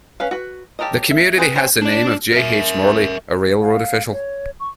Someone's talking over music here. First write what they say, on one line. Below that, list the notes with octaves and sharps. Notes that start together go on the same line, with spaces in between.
The community has the name of J. H. Morley, a railroad official.
C#4 B4 F5
F#4 B4
G4 A4 A#4 C#5 D#5
E5
C4 G#4 B4 C5
G#4 C5 C#5 G5
D4 D5
A#4 E5
F5
C#5
C#6